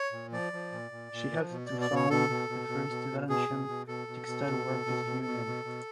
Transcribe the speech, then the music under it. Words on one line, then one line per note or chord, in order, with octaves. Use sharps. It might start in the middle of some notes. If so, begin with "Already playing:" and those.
She helped to found the first Valencian Textile Workers' Union.
Already playing: C#5
A#2
F3 D5
F3
A#2
A#2
A#2
F3
B2
B2 D5
D5
B2 C#5
B2 A4
B2
B2
B2
B2
B2
B2 G#4
B2
B2
B2 A4
B2
B2
B2
B2
B2
B2
B2
B2
B2